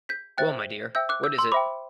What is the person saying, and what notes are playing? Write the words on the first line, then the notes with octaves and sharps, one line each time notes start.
Well, my dear, what is it?
G6 B6
C5 E5 G5 F#6 A6
C5 E5 G5 E6 G6
D6 F#6
E6 G6
C6 E6
C5 E5 G5 B5 D6